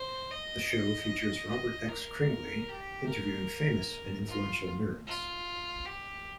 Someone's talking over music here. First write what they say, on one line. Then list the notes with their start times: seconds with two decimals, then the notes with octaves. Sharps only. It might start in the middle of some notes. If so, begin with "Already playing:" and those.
The show features Robert X. Cringely interviewing famous and influential nerds.
Already playing: C5
0.31 D#5
1.50 D#5
1.89 A#4
2.69 G4
3.08 A#4
4.27 F4
5.07 F4
5.86 G4